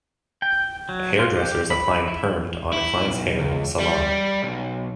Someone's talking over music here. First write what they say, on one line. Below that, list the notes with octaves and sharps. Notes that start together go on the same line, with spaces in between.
A hair dresser is applying permed on a client 's hair in a salon.
G5
F#3
F4
G4
B5
E4
E4
B1
C#2
G3
B1